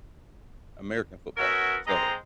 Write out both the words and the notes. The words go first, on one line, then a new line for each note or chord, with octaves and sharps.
American football, so
B3 C#4 F#4 A#4 C#5 E5
G#3 C4 C5 D#5 A#5